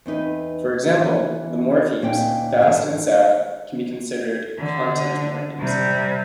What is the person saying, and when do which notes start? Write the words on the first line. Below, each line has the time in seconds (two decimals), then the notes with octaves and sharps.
For example, the morphemes "fast" and "sad" can be considered content morphemes.
0.06 E2 C4 D#4 B4
0.96 E3
2.02 D2 A#2 C4 C#4 D#4 G5
2.60 G#2 D3
4.59 D3
5.60 C3 G3